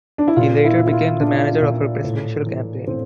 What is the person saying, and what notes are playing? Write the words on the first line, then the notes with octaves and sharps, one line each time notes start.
He later became the manager of her presidential campaign.
D4
E4
A#2 F4
E4
A#2
E4
F4
A#2 D4
A#2
A2
E3
A2 C4